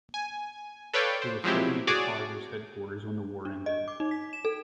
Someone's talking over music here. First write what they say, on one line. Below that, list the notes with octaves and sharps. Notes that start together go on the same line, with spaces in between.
He was serving at the Kaiser's headquarters when the war ended.
G#5
A4 B4 C#5 D5 F5 G5
C5
F3 F#3 G#3 C4 E4 G4
F#4 G#4 C#5 D5 D6
D4
D#5
D6
D#4
B6
E7
A4